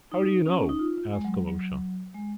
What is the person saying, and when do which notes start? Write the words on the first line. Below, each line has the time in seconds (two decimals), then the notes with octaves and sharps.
"How do you know?" asked Alyosha.
0.12 D#4
0.45 C#4
0.69 D#4
0.79 F4
1.13 G#3
1.25 F#3
1.47 F#3
2.14 G#3